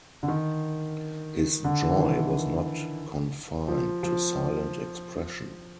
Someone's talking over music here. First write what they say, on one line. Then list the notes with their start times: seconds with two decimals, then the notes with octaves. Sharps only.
His joy was not confined to silent expression.
0.23 D3
0.28 D#3
1.64 D3
1.91 E3
1.99 D#3
3.68 F3
4.03 F3